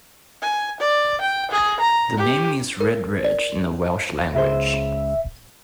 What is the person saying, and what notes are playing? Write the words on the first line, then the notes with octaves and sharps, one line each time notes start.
The name means 'red ridge' in the Welsh language.
G#5
D5
G5
G#4
A#5
G4
A#4
D5
C#2 G#4 C5 E5